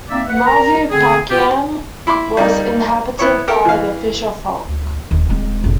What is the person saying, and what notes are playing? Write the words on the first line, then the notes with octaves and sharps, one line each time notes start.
Maruvurpakkam was inhabited by the fisher folk.
A#3 C4 D#4 D5 E5
B4 F#5
A#4 A#5
D3 A3 C4 G#4
B2 F4 G4
E4 B5 C6 D6
G3 A#3 D#4
B3 E4 C#5
G4 A4 A#4
E3 F5
D2
E1 D#2
D#1 G#3 C4
F1 A#1